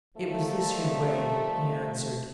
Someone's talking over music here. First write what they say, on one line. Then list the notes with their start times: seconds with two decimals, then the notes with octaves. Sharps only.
"It was this here way," he answered.
0.17 D#3 F3 G3 A3